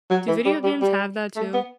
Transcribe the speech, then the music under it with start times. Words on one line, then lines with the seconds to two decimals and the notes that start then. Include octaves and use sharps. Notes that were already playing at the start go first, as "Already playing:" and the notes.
Do video games have that too?
0.10 F#3
0.28 E3
0.45 G3
0.63 G3
0.82 G3
1.36 A3
1.54 B3